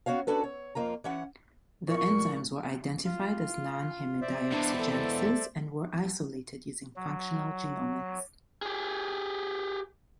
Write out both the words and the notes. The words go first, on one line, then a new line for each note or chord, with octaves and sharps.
The enzymes were identified as non-heme dioxygenases, and were isolated using functional genomics.
B3 C#4 F#4 C#5 F5
C#4 D4 F#4 A4 B4
C#5
F2 A#3 F4 A#5
E3 C#4 F#5
A#2 C#6
F4
C5 D5 E5
E2 B2 D4
A4
F#3
G4 G#4